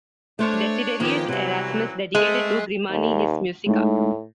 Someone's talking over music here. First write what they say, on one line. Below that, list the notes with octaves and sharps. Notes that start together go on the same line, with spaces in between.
Desiderius Erasmus dedicated to Grimani his "Musica".
A3 D4 C5 C#5
D#3 F3 G#3 A#3 B3 G4
C3 E3 F#3 G3 C4
G#3 A3 C4
D#2
A2 G#3 A3 D#4